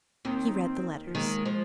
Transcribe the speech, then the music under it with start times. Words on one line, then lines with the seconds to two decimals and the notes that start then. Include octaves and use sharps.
He read the letters.
0.25 D#2 D#3 C4
0.48 D#4
0.55 C4
1.07 F3
1.15 D#2 D#3 G#3
1.46 F3